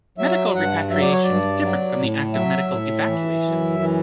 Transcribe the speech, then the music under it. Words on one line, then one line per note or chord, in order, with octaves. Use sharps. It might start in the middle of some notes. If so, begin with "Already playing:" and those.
Medical repatriation is different from the act of medical evacuation.
F#3 E5
G2 F#5
F#3 E5
D5
C#5
G2 D5
F#3
A2
F#3 E5
A2
E3
F#2
E3